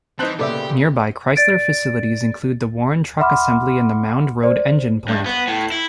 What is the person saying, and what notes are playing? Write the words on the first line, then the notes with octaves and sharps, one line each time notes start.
Nearby Chrysler facilities include the Warren Truck Assembly and the Mound Road Engine plant.
E3 C4 D#4 A5 F#6 G6
A#2 C#3 B3 G4 A4 D5 E5
D5 A6 D7
E5 F#5 B5 C6 D6 F6
C5 D5
G2
B3
A2
E4